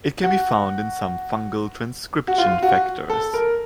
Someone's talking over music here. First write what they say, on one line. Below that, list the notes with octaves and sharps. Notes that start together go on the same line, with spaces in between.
It can be found in some fungal transcription factors.
F#4
F#4
F4
F#4
A4
A#4